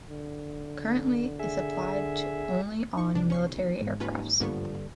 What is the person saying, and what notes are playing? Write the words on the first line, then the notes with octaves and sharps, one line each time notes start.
Currently it’s applied only on military aircrafts.
D3
G#4 E5
B1 D#4 C#6
C2 D4
C#4 C#6 C7
G#2
D#2 C#4 F4 B4
G2 D3 F3 A#3 B3 C#6